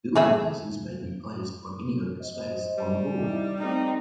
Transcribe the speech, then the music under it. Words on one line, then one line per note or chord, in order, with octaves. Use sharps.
Building places may be placed on any open space on the board.
A3 G#4 E5
C5 D#5
G3
C4 D#4 E4
A3 C4 D#4